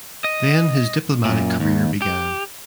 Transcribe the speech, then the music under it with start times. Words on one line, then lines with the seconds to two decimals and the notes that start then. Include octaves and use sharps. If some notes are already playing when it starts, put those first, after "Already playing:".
Then his diplomatic career began.
0.24 D#5
1.25 F#2 A#2
1.60 D#2
2.02 G4